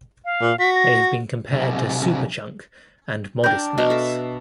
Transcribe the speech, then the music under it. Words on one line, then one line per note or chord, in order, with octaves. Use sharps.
They have been compared to Superchunk and Modest Mouse.
F5
A#2
F#4 B6
A#6
B1 C3
D4 A#4 G5 G6
B2 A#4 D#5
A4 E5